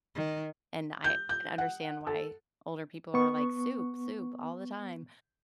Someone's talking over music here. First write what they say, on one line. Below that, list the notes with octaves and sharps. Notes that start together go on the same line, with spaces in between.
and I can understand why older people are like, "Soup, soup all the time,"
D#3
G6
G6
F#5
A4
B3 C#6